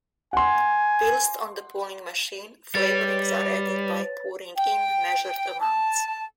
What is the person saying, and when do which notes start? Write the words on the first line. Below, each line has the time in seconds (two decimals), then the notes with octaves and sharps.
Whilst on the pulling machine, flavourings are added by pouring in measured amounts.
0.33 F#5 G#5 C6
2.75 G3 B4 C#5 A6
4.56 G5
5.60 A5